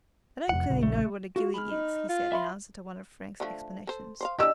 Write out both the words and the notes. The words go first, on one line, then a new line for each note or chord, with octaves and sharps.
"I don't clearly know what a gillie is," he said, in answer to one of Frank's explanations.
E1 F2 F#5
A#1 A#2 C#3
A3
F4 F#4
G#3 B5 F6
D#4
F4
E5 B5 C6
D3 F3 A3
A4 C5
C5 D5 F5
D4 F#4 G4 D#5 E6